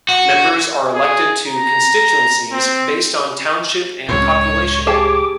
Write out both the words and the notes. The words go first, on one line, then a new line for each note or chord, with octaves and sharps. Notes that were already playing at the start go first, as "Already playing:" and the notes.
Members are elected to constituencies based on township and population.
F#4
G#4
A#5
C4
C#2 A2 C#5
G4 G#4 A5 D6